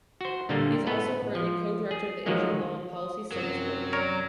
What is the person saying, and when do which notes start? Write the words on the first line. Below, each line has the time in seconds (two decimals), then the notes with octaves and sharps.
He is also currently Co-Director of the Asian Law and Policy Studies Program.
0.21 F#4 C5
0.49 A#2 D3 G3 A#3 F4 A4
0.87 A2 B3 A4 B4
1.35 F3
1.91 G#4
2.26 D#3 F3 F#3 G#3 A#3
2.95 D#6
3.32 F#2 C3 F#3 C4 A#4
3.93 A#4 C#5 D5